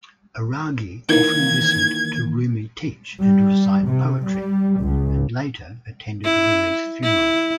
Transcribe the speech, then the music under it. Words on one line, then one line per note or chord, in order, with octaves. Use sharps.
'Araghi often listened to Rumi teach and recite poetry, and later attended Rumi's funeral.
D#3 E3 A#3 G#6
G3
C3
G3
C#2
E4
E4